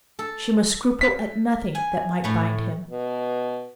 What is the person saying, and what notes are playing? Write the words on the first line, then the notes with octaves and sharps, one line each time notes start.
She must scruple at nothing that might bind him.
A4
B6
G#5
A2 A3
B2